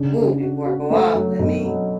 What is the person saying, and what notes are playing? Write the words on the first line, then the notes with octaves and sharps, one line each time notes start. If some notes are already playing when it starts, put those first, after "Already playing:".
"Ooh, before I go off, let me
Already playing: C#3 D4
C#3
F#4
F#4
A3
F#3
B2
F#3